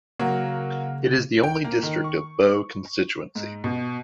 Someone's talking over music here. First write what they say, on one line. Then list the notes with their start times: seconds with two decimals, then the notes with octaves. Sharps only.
It is the only district of Boe Constituency.
0.19 C#3 F#3 A#3
1.43 G5
1.64 A#3
1.83 D#3
2.04 C#6
3.35 G#2
3.64 B2